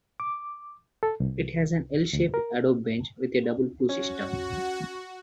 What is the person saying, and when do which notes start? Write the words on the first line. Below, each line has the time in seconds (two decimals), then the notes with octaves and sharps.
It has an 'L' shaped adobe bench with a double flue system.
0.20 D6
1.03 A4
1.20 C2
2.13 D2
2.34 A#4
3.89 C#4 F#4